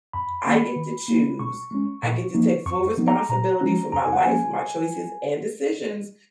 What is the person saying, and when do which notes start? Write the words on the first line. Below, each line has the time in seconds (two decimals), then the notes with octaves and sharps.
I get to choose, I get to take full responsibility for my life, for my choices and decisions,
0.13 F2 B5
0.45 D#3 A#3 C#4
0.76 D#3
1.08 A#3 D#4
1.39 B2 C#6
1.71 G#3 C#4
2.03 A#2
2.34 F3 A#3 D#4
2.66 F2 C#6
2.98 F3 B3 D#4
3.08 A#5
3.29 A#2 A#5
3.61 F3 G#3 C#4
3.92 F2 A#5
4.02 G#5
4.13 F#5
4.23 F3 A#3 C#4 G#5